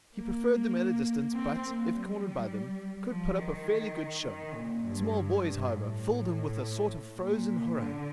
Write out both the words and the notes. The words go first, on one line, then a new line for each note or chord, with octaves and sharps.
He preferred them at a distance, but, if cornered by them, could put up a fairly good show. Small boys, however, filled him with a sort of frozen horror.
A#3
C4
A#3
G3
F3
D#3
D#3
A#2
G2
G2
A2
A#2
D3